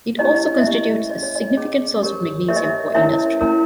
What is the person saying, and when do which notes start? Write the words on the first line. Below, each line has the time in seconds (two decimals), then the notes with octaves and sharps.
It also constitutes a significant source of magnesium for industry.
0.19 C#4 E4 G4 C#5 D#5
0.35 D#5
0.50 D#5
0.58 E5
0.65 C#4 E4 G4 C#5 D#5
1.11 C#4 G#4 C#5 D#5
1.23 C#5
1.35 D#5
1.57 C#4 G#4 C#5
2.03 G4 A#4 C#5
2.48 G4 A#4 C#5 E5
2.56 D#5
2.64 E5
2.94 C#4 E4 A#4 C#5 E5
3.41 C#4 E4 A#4 C#5